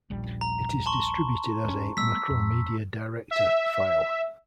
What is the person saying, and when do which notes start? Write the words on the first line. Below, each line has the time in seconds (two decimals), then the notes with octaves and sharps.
It is distributed as a Macromedia Director file.
0.10 D#1 A#1 G3
0.41 A#5
0.86 A5 C6 C#6
1.65 E1 C#4
1.97 G3 A3 B3 E6 B6
2.30 F2
3.31 E5